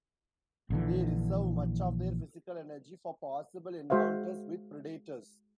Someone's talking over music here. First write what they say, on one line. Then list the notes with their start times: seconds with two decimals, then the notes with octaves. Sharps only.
They reserve much of their physical energy for possible encounters with predators.
0.70 A#1 D3 E3
3.90 G#3 F#4 C5 E5 F5